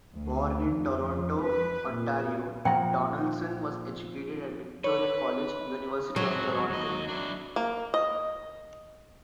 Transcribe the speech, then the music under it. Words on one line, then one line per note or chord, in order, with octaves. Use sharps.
Born in Toronto, Ontario, Donaldson was educated at Victoria College, University of Toronto.
D2
F2
B4
A#2
A#2 F3 F#5 G5 A#5
B4 C#5
F#3 G#3 C4
D#2 D#5
D4 E4
A#3
D#5